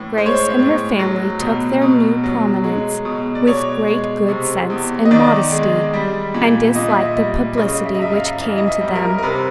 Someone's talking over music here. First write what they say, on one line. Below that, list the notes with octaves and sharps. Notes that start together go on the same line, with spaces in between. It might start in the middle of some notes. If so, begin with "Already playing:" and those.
Grace and her family took their new prominence with great good sense and modesty, and disliked the publicity which came to them.
Already playing: A2 E3
G#3 C5
C#5
C5
A2
F#3
B2
B2
F#3
G#3
B2
D5
B2 C#5
G#3
C3
E2
D#5
D#3 D5
G#3
G3
A#2
A#2 D#5
E5
D#5
G3
C#3 D#5
E5
D#5
F#2 E5
F5
E3 D#5
D#5
E5
G3
A#4
A#4
C3 B4